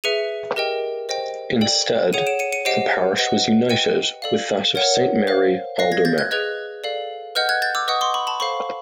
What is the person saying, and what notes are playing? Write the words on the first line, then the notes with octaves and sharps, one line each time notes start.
Instead the parish was united with that of Saint Mary Aldermary.
G#4 B4 E5 C#7 D#7
G4 A#4 D#5 G5
C5 D#5 G5
A4 D5 G5
G#4 C#5 F#5 C#7 D#7
D7 E7
C#7 D#7
C#7 D#7
G4 C5 D#5 F#5 C7 D7
B4 D#5 F#5
B4 D#5 G5 C#7 D#7
A4 D5 F5
A#4 C#5 F#5
C5 F5
B4 D5 F5 A#6 C7
G#6 A#6
G6 A6
F#6 G#6
G#4 B4 D#5 F#6 G#6
A4 D5 F5
B4 D#5 F#5 F6 G6
F#6 G#6
G6 A6
D6 E6
B4 D#5 F#5 C#6 D#6
C6 D6
B5 C#6
A5 B5
A4 C5 F5 B5 C#6